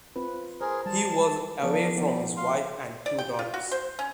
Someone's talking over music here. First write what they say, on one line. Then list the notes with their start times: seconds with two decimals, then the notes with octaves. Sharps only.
He was away from his wife and two daughters.
0.16 C4 F4 B4
0.61 G#4 A#4 C5
0.86 G3 A5
1.62 F3 B3 D4 A#4 D5
1.96 G3 B3 E4
2.37 F5 C6
3.06 D5
3.19 G5
3.39 F4
3.54 F#4
3.72 C5
3.99 C#4